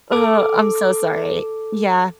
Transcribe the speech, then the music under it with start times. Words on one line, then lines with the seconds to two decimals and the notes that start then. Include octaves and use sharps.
Oh, I'm so sorry. Yeah.
0.12 A4 D6